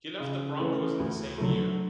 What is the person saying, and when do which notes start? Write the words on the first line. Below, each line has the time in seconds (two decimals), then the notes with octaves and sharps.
He left the Broncos in the same year.
0.20 C#3
0.60 E3 A3 C#4
0.99 D2
1.38 D3 F#3 A3